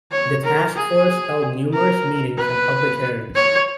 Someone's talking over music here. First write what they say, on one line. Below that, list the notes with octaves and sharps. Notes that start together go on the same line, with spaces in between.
The task force held numerous meetings and public hearings.
C#5
A#4
G#4
A#4
B4
C#5